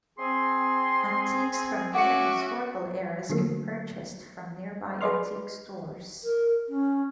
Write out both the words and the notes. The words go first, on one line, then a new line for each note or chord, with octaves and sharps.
Antiques from different historical eras can be purchased from nearby antique stores.
C4 G#4 C6
C#4 F#4 E5 F#5 D6 C#7
D3 F#3 A3 A#3
G#4 B4 D5 D#5 C6 F6
A#4
C#4